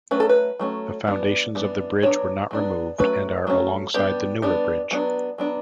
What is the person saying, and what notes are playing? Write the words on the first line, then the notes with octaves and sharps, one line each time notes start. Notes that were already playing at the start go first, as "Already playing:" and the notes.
The foundations of the bridge were not removed and are alongside the newer bridge.
F#3 A3 C#4 B4
A4
B4
F#3 A3 C#4
E3 G3 B3 D4
E3 G3 B3 D4
F#3 B3 D4 C#5
F#3 B3 D4
F#3 A3 C#4 B4
F#3 A3 C#4
G3 B3 D4 G4
G3 B3 D4
F#3 B3 D4
F#3 B3 D4